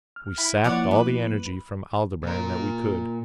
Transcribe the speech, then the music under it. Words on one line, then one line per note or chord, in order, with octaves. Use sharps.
We sapped all the energy from Aldebaran that we could.
F6
E4
F3 A#3 E4 C#5 D5 F#5
B4
A#2 A#4